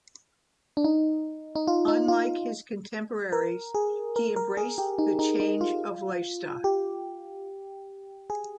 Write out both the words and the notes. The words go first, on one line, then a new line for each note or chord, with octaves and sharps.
Unlike his contemporaries, he embraced the change of lifestyle.
D4
D#4
D#4
F4
D#4
F4
A#4
G#4
A#4
A#4
G#4
G4
D#4
D#4
D#4
F4
G4
G#4